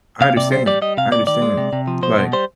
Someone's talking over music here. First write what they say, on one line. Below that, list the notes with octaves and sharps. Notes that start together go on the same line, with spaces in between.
I understand, I understand. Like
C3 F5
C3 D5
G3 C5
G3 D5
G3 D#5
C3 F5
C3 D5
D#3 D5
G#3
C3
C3
F3
B2 C5
B2
G3 C5